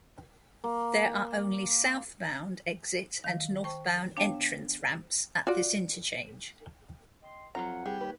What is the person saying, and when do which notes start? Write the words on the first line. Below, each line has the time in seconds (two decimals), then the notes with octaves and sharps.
There are only southbound exit and northbound entrance ramps at this interchange.
0.64 A#3
3.24 D#3 F5
3.64 C5 G5 A5 C#6
4.16 B3 D4 C#5 F5 G5 A5
5.47 F4 F#4 D5
7.23 D#5 G5 C6
7.55 F2 F#3 F4 F#5 A#5
7.86 C2 G3 G4 G#4
8.01 D#2 B4 C#5